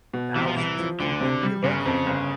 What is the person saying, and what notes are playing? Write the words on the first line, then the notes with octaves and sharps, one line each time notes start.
Thousands of people relocated.
B2
C2 E3
F3
C2 E3
F3
D2 D3
C3
G3
G1 C#3
F2
G1